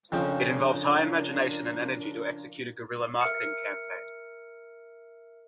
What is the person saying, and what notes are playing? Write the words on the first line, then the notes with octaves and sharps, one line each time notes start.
It involves high imagination and energy to execute a guerrilla marketing campaign.
F2 C#3 F3 D4 F4 A#4
A#4 E5 E6 F6 C#7